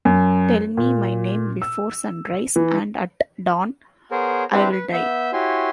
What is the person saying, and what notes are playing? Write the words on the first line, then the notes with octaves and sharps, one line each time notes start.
Tell me my name before sunrise, and at dawn, I will die.
F#2
A#2
E6
E3
B3 G#4 A#4 C5 C#5
C4 D4 E4 G4 B4 C5
B4
B3 E5 E6 G6
E4 F#4 G4 C#5 G#5 C6